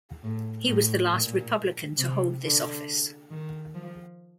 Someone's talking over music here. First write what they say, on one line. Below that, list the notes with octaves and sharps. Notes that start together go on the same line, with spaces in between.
He was the last Republican to hold this office.
A2
A2
A#2
C3
D3
D#3
F3